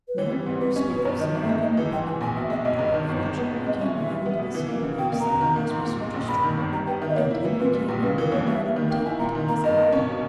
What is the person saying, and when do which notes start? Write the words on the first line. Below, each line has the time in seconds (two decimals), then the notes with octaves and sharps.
NOW will we speak of Sir Lucan the butler, that by fortune he came riding to the same place thereas was Sir Tristram, and in he came in none other intent but to ask harbour.
0.08 B4
0.17 E3 C#5
0.31 G3
0.46 G#2
0.61 G3 B4
0.76 C#4
0.90 B2
0.97 B4
1.05 G2 C#5
1.19 D#3 D#5
1.34 G1 E5
1.49 G#3
1.63 D#4
1.77 E3
1.92 G#2 G5
2.06 E3 G#5
2.21 A#1 G#5
2.36 B2 E5
2.50 G#3 E5
2.64 B1 D#5
2.79 G2
2.94 D#3
3.09 G1
3.23 G#3
3.38 B3
3.52 A#2
3.66 G#3 D#5
3.81 C#4 E5
3.95 A#2 E5
4.10 G3
4.26 B3
4.39 B2
4.54 E3
4.69 A#3
4.83 C#3
4.98 B2 G5
5.12 A#3
5.20 A#5
5.27 E2
5.41 D#3
5.56 A#3
5.70 G#2
5.85 A#2
6.00 G#3
6.14 A#1
6.28 G2 B5
6.43 D#3
6.57 G1
6.72 G3 A#5
6.87 B3 G5
7.02 D#3 E5
7.09 D#5
7.16 A#3 C#5
7.31 E4
7.45 E3
7.60 A#2 B4
7.74 G3
7.89 A#1
8.03 C#3 B4
8.18 E3 A#4
8.32 D#2 C#5
8.47 G3 E5
8.61 B3
8.76 D#3
8.90 A#3 G5
9.05 E4 G#5
9.19 A#2 A#5
9.35 D#3
9.48 A#3 A#5
9.64 G2 D#5
9.78 A#3
9.92 C#4
10.08 B2